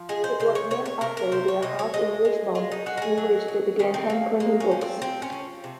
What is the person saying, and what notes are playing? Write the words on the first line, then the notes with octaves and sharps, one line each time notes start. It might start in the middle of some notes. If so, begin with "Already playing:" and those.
It was named after their house in Richmond, in which they began hand-printing books.
Already playing: F3
G#3 G#4
C5
C#3 C5
C#5
C3 C#5
C#5
C3 A#4
A#4
C3 C5
C#5
C3 D#5
C#5
G#3 D#5
G#3
G#3 F4
D#4
G#3 F#4
A#4
G#4
F#3
F#3
D#3 C#4
C4
F#3 A#3
G#3 A#3
C#4
F3
C4
F3 C4
C#4
F3
C3